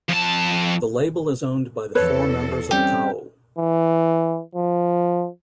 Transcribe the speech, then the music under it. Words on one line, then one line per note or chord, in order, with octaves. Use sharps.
The label is owned by the four members of Thau.
F2 A5
E2 A4 B4 C#5
G3 C4 C#4 G4
E3
F3